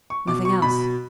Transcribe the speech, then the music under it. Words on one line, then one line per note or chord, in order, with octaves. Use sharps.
Nothing else.
C#6
B2 D6
C#6
B2 B5